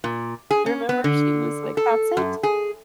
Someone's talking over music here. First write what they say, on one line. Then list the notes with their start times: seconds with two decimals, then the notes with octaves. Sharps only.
I remember she was like, "That's it.
0.04 A#2
0.51 G#4
0.66 C#4
0.89 B3
1.04 D3
1.77 A4
2.17 F#2
2.43 G#4